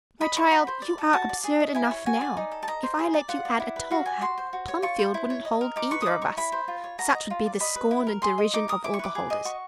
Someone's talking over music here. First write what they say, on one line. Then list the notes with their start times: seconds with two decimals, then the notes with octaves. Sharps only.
'My child, you are absurd enough now; if I let you add a tall hat, Plumfield wouldn't hold either of us, such would be the scorn and derision of all beholders.
0.21 D#5 B5
0.36 C5 C#6
0.51 F#4 B5
0.67 C5
0.82 D5
0.98 A4
1.13 F#4 A5
1.29 D5
1.44 G#4
1.60 D#5
1.74 E4 G#5
1.91 C#5
2.06 F#4 G#5
2.21 D5
2.37 D#4
2.51 A4
2.63 A5
2.67 D#5 A#5
2.83 C5
2.99 G#4
3.14 D5
3.28 F4 F#5
3.45 D5
3.60 E4
3.76 B4
3.91 F#4 F5
4.06 D5 G#5
4.21 F#4 C6
4.38 C5
4.53 F#4
4.68 C#5
4.82 F4 C#6
4.99 C5
5.14 E4
5.30 C#5
5.45 D#5
5.61 A#4
5.76 D#4 D6
5.91 B4 C#6
6.02 D#6
6.06 D#4 D6
6.21 C#5 C#6
6.37 E4 B5
6.52 C5
6.68 F4
6.84 C#5
6.99 F#4 A#5
7.14 D#5
7.30 F4
7.46 D5
7.60 D#5 B5
7.76 B4
7.91 E4
8.07 A#4
8.22 G#4 C6
8.38 D#5
8.53 D#4 D6
8.68 A#4 D#6
8.84 E4 D6
8.94 C#6
8.99 B4 D6
9.15 G#4
9.30 D#5
9.45 F#4 C#6